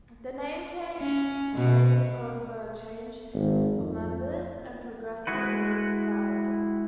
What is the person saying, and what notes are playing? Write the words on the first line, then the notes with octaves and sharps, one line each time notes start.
The name change came because of a change of members and progressive musical styling.
C#4
B2
G#1
F2
G#3 E4 F#4 B4